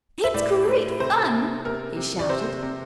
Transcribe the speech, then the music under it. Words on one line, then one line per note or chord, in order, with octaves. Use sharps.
"It's great fun," he shouted.
E5
A2 D5
A2
C3 C5
C3
C3 A#4
C3
D5
C3 C5
C3